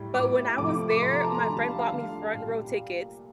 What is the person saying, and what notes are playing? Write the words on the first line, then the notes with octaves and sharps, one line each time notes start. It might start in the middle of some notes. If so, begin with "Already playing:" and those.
But when I was there, my friend bought me front-row tickets,
Already playing: A2 G3
A2 G3 D6
C3 F3 A3 D6
D6
D6
C3 F3 A3 C6
A#5
A5
A#5
D3 G3
A5
F5
F5
D3 G3
A#2 G3